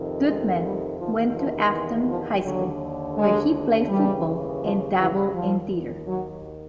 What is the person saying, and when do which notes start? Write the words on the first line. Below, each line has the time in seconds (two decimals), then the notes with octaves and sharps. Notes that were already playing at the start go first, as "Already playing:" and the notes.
Goodman went to Affton High School, where he played football and dabbled in theater.
Already playing: F2 C3 D#3
0.26 G#3
0.62 G3
0.99 E2 C3 D#3 F3
1.36 F3
1.72 E3
2.08 F3
2.44 D#2 D3 F#3
3.17 G#3
3.89 D#2 C#3 E3 G3
4.62 F3
4.98 E3
5.34 D#2 D#3 F3
6.07 F#3